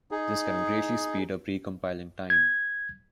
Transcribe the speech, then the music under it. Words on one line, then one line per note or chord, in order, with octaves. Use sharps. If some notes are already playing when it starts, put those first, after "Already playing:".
This can greatly speed up recompiling time.
D#4 G#4
G#6